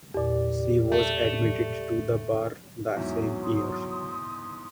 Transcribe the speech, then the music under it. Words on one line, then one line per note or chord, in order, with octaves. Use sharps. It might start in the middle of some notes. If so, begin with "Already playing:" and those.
She was admitted to the bar the same year.
E2 A#2 G4 D5
A3
E2 G#2 F#3 E5
C6 D#6